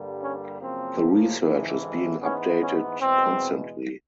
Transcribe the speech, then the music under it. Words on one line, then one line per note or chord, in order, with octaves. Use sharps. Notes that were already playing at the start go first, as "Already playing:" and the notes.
The research is being updated constantly.
Already playing: G2 D3 G3 A#3
C#4
F#2 C#3 F3 A#3 C4
A1 G#2 E3
G#2 E3 G#3 B3 C#4
C#4
E2 B2 G#3 C4